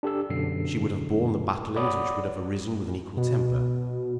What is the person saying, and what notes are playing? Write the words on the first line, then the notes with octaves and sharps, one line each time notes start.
She would have borne the battlings which would have arisen with an equal temper.
D4 G4 A4 E6
F#2 B2 D3 F#3 C7
C#5 D5 F#5 B5 D6 D#6
B2